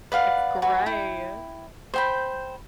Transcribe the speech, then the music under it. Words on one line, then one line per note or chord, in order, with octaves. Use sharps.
It's gray.
B4 D5 F5 F#5
F#4 B4 G#5
E4 G5
C5 G5 B5